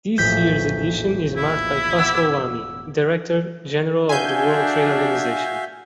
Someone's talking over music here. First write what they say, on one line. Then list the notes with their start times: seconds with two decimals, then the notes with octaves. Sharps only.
This year's edition is marked by Pascal Lamy, Director-General of the World Trade Organization.
0.18 E1 A#1 A2 G6 B6
1.37 E4
1.99 F#5 B5 D6 E6
4.09 D4 F#4 E5 F5 G#5 G6